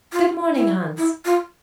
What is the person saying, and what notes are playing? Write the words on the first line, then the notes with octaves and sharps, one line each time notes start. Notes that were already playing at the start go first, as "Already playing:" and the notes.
'Good morning, Hans.
F4
E4
E4
F4